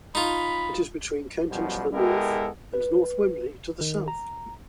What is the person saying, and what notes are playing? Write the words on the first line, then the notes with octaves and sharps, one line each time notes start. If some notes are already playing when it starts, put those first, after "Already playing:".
It is between Kenton to the north, and North Wembley to the south.
D#4 F4 B5
F#2 B2 F3 G3
G#3 B3 E4 G4 A4 A#4
B4
D#3
A#5